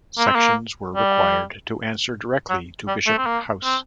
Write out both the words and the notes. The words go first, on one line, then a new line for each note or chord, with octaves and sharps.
Sections were required to answer directly to Bishop House.
A#3
C4
A#3
G3
F#3
G3
A3
C4
A#3
C4